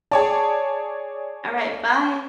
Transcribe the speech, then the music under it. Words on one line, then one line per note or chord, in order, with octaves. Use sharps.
Alright, bye.
G#4 C#5 D5 A5